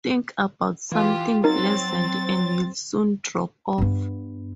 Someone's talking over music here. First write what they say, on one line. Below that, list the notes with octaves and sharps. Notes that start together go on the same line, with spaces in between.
Think about something pleasant, and you'll soon drop off.
E3 F4 G4
F#3 C4 D#4 A#4 A6
G2 B3